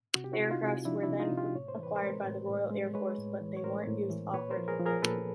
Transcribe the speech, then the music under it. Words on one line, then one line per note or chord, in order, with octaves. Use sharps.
The aircrafts were then acquired by the Royal Air Force but they weren’t used operatively.
C3 F#4
G4
E4 F#4
C3
D#4 F4
C3
F3 D4 E4
D4 E4
C3
D#4 F4
C3
F4 G4
A2 C#5
C5
E3
B4
A#4 C5
G#3
A2
A2
G#3
G#3 B4 C#5
A2
E3
C#5
A2 A#4 C5
A2
E3
A#2 B4 C#5
A#4 C5
F3
G#4 A#4
F3
G#4 A#4
A#2 A4 B4